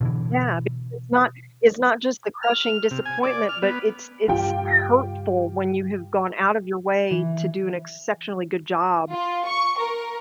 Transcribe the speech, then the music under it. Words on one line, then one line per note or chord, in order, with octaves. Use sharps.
Yeah, because it's not it's not just the crushing disappointment, but it's it's hurtful when you have gone out of your way to do an exceptionally good job,
B2 D3 E3
F6
C3
G#5
D5
F6
B3
G2 C#3 F4 G4 G5
E3
F4
C#6
A#4